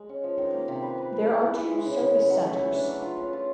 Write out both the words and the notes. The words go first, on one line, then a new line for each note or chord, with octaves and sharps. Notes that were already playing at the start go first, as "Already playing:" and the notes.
There are two Service Centers.
Already playing: G#3
C#4
F3
D#3
A#3
C3
B4
B4
B4
G#3
E3
E3
G#3
C#3
C#3
C#4
F#3
A3
E3
D4
D4
F4
C#4
F4